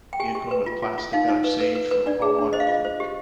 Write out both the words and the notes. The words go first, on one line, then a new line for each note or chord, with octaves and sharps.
vehicle with plastic that I've saved for all month, and
G5
G4 G#5
G4
B4
F4
F4
F4
D#4 F5
D#4
B4
B4
B4
B4
D4 D5
G#4
D4
C5 D#5
F5
F4 D#5
C5
G4